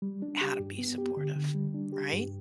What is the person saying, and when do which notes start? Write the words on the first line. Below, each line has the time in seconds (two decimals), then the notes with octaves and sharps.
how to be supportive, right?
0.02 G3
0.22 D4
0.41 G4
0.59 G2
0.79 B3
0.98 G4
1.17 D3
1.36 D3
1.55 G3
1.74 D4
1.92 G4
2.12 G2